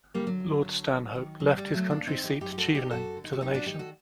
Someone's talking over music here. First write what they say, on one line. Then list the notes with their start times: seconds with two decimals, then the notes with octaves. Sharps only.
Lord Stanhope left his country seat Chevening to the nation.
0.14 D3 G3 A#3
0.27 F#3
0.40 G2
0.65 D3
0.91 D#2
1.16 D#3
1.40 D2 F#3
1.57 G3
1.66 D3
1.74 F#3 A3
1.90 G2 A#3 D4
2.07 C4 D#4
2.16 D#3
2.24 D#4 G4
2.41 F#2 D#4 G4
2.52 G4
2.58 F#4 A4
2.66 D3
2.75 D#4 G4
2.90 F#2 F#4 A4
3.17 D3
3.24 D#4
3.33 F#4
3.41 F#2 D#4 G4
3.54 D4 F#4
3.66 D#3 D#4 G4
3.79 F#4 A4